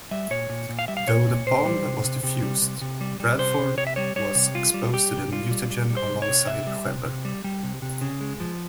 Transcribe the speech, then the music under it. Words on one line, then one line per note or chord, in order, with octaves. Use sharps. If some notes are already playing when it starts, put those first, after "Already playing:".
Though the bomb was defused, Bradford was exposed to the mutagen alongside Xever.
G3 E5
A#2 C#5
A#2
A#2
F5
G3 E5
F5
A#2 C#5
A#2
A#2 C5
G3
C3
C3
C3
G3
C3
C3
G3
G3
C3 C5
C3
C3 C#5
E5
G3 C#5
G3 C#5
C3
G3 F4
G3
G3 G4
C3
G3 F4
G3
G3
G3
C5
C3
C#5
C3
C3 E5
G3
C3
C3
G3
G3
C3
C3
C#3
G#3
F3